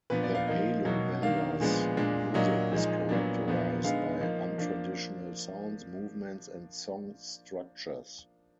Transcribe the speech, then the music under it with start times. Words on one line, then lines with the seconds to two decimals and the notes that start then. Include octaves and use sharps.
The Halo Benders' music is characterised by untraditional sounds, movements, and song structures.
0.10 A#2 F3 B3 D4 B4
0.23 D5
0.35 F5
0.47 F3 A#3 D#4
0.85 B2 F#3 A#3 D#4
1.22 D#3 A#3 D4 F5
1.60 A#2 F3 G#3 B3 D4
1.97 A#2 G#3 D4
2.34 A#2 F#3 A#3 D4 D#5
2.72 A#2 F3 G#3 D#4
3.09 A#2 F#3 B3 D4
3.47 A#2 F3 B3 D4
3.84 D3 G#3 B3 D#4 F5
4.21 F3 A#3 D#4
4.58 F3 A#3 D4